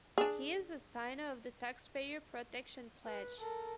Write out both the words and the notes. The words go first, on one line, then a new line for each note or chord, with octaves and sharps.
He is a signer of the Taxpayer Protection Pledge.
D4 G#4
B4
A4 A#4